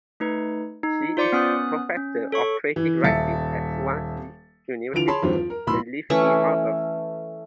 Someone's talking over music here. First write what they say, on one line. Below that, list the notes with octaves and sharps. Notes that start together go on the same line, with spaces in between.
She is Professor of Creative Writing at Swansea University, and lives in Mumbles.
A3 D#4 B4
D#4
F4 C5 D5 C6 D6 C#7
B3 C#4 D#6 F#6
C#4
A4 C#5 C#6
E3
D#1 E5 A6 C#7
D3 E3 F3 F4 D7 F7
G#4 C#5 A5 B5 C6
E2 G2 D#3 F3 F#3 C4
F3
A#4
B1 A2 B5 C6 E6
E3 A3 C#4 C#6